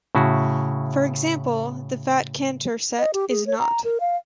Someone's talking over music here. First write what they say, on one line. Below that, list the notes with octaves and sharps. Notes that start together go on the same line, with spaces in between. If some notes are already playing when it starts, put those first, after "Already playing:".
For example, the fat Cantor set is not.
A2 C#3 E4 F#4
D#5
G4
G#4
C#5
A#5
A#4
F5